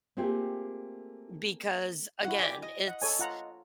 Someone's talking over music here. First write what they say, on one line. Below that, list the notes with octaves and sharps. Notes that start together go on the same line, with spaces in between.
because, again, it's
A3 A#3 C4 F4 G4 G#4
E4 F#4 F#5
G4 D5 G#5
D#5
F#5
A4 C#5 G#5
F4 F#5 A#5